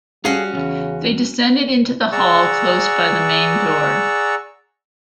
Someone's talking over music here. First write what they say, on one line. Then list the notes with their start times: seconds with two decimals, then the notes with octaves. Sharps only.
They descended into the hall close by the main door.
0.25 G3 C#4 F#4 G#4 A4 F5
0.53 B1 E2 C#3
2.12 G#4 D5 F#5 A#5 C#6 E6